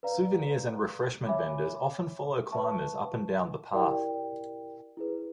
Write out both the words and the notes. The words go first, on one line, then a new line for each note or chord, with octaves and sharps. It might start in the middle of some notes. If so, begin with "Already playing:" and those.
Souvenirs and refreshment vendors often follow climbers up and down the path.
B4 D5 F5 A#5
C#5 E5 G#5 B5 D6
B4 E5 A5 C#6
E4 G4 A#4 D5 G5
E4 G#4 B4